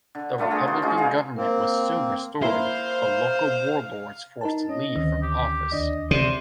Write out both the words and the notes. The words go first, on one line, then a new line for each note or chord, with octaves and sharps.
The Republican government was soon restored, but local warlords forced Li from office.
D3
G3 A3 D4 F4
B3 G#4 A#4
C#3 F#4 C5 F#5
G#3 C#4 D#4 F4
D3 E3 G#4 F5
A#3 C4 A#4
A#3 E4 C5 F5
D#4 A#4 A5
C#4 D#5
D2 D3 D#3
G4
D#2 D4 D5 D#5
C3 C5 D5